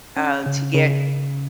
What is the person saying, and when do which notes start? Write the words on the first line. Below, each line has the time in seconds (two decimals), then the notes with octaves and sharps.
uh, to get,
0.17 C#4
0.46 C#3
0.75 C#3